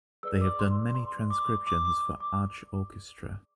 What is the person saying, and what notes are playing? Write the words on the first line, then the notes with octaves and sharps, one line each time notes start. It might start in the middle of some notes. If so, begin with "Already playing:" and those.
They have done many transcriptions for Arch Orchestra.
G#4 B4 D5 E6
D6
C6
C6
D6
D6
D6
D6